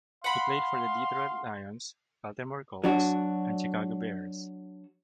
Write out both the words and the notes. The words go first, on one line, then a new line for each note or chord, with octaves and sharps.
He played for the Detroit Lions, Baltimore Colts and Chicago Bears.
F5 F#5 B5 C6
F#3 D4 F#4